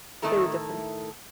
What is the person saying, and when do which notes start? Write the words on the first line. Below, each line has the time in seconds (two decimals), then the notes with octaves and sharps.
They were different.
0.22 A2 D#3 A3 E4 A4 A#5